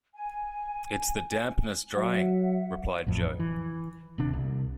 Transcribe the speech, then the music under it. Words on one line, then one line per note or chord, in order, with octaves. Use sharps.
"It's the dampness drying," replied Jo.
G#5
F#3 E5 F#5
A1 F2
E3
D#1 D#2 C3 D4
C2